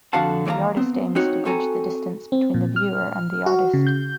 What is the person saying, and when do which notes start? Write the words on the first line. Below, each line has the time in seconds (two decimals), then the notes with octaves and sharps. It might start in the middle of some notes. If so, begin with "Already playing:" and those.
The artist aims to bridge the distance between the viewer and the artist.
0.13 F2 D3 F#4 F5 F#5 A5
0.46 D#2 E3 D5 F5 A#5
0.77 B3 C4
1.15 C4 D#4 F#4 C#5
1.45 C4 F#4 A4 G#5 A#5
2.32 C4
2.54 A#2
2.76 F6
3.46 F#4
3.73 C#3
3.87 G6